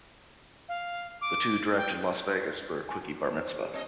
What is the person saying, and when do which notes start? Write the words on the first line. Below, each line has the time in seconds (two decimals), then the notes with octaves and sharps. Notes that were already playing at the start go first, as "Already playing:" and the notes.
The two drive to Las Vegas for a quickie Bar Mitzvah.
0.69 F5
1.21 D6
1.78 G5
2.88 G#5
3.03 F#4 A#4
3.20 C#4 E4 C5
3.33 B3 D#4 C5
3.52 C#4 G4
3.71 G2 C4 D#5